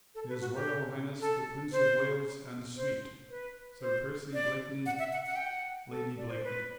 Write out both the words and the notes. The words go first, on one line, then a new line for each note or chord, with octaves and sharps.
"His Royal Highness the Prince of Wales and suite, Sir Percy Blakeney, Lady Blakeney."
A4
B4
F#4
G4
A4
C5
C5
B4
C5
D5
F#5
E5
F#5
F#5
G5
F#5
A4
D5
C5
B4